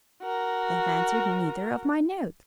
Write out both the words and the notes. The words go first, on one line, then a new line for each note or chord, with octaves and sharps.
They have answered neither of my notes.
F#4 A#4